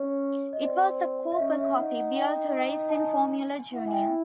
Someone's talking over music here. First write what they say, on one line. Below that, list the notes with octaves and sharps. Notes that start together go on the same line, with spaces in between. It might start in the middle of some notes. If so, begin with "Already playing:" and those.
It was a 'Cooper Copy' built to race in Formula Junior.
Already playing: C#4 C#5
D#5
C4 D5
E5
C#4 D#5
E5
D#4 F#5
F#5
F#5
G5
A5
G#5
E4 F#5
G#5
G5